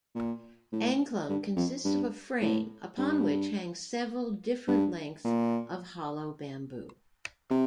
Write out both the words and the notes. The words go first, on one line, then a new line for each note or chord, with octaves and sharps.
Angklung consists of a frame upon which hang several different lengths of hollow bamboo.
A#2
A2
G2
F2
G2
A2
G2
G2
A#2
C3